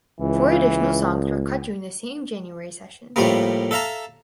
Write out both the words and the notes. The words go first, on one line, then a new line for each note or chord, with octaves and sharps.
Four additional songs were cut during the same January sessions.
C#2 E3
A2 F3 G3 A3 A#3
A4 E5 F5 A5 A#5